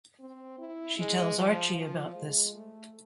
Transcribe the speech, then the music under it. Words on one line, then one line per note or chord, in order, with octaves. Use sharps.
She tells Archie about this.
C4
E4
G#3
F3
F3
G#3
A3